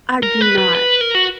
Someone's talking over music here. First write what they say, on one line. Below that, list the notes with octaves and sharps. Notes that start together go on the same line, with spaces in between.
I do not.
A#4
B4
B4
B4
A#4
F#4